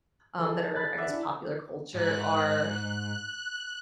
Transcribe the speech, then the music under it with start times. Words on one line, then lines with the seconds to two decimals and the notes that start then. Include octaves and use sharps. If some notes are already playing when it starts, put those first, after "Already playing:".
um, that are, I guess, popular culture are
0.39 F3 G#4 A4
0.76 B5 F#6 A6
0.97 D5 E5 F#5
1.09 D4 E4
1.94 G#2 F#6